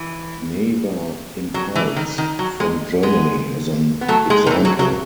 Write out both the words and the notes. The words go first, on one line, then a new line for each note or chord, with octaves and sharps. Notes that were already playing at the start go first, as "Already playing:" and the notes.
Gnawa Impulse from Germany is an example.
Already playing: E3
F#3
E3
D#3
D#3
F#3
G#3
G#3 B3
B3
F#3 A3
G#3
D#3
E3
F#3
F#3